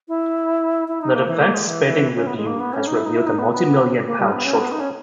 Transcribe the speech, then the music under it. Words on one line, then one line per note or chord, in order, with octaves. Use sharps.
The Defence Spending Review has revealed a multi-million pound shortfall.
E4
E4
D#4
A#3
E3
A#3
G#3
E3
E3
C#4
B3
G#3
A#3
B3
C#4
D#4
E4
D#4
E4
D#4
B3
B3
A#3
G3
B3
C#4
B3
D#4
C#4